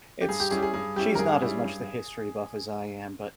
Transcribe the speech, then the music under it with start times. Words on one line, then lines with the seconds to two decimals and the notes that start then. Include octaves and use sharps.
it's she's not as much the history buff as I am, but
0.21 G4
0.29 G2 G#4
0.40 G4
0.51 G3 C#4 E4 G#4
0.58 G4
0.62 G#4
0.74 G2 G#4
0.96 G3 C#4 E4 G4
1.15 A#4
1.19 G2 G#4
1.42 G3 C#4 E4
1.64 G2